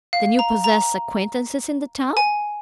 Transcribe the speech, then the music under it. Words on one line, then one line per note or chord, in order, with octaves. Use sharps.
"Then you possess acquaintances in the town?"
F5
A#5
A#5
G#5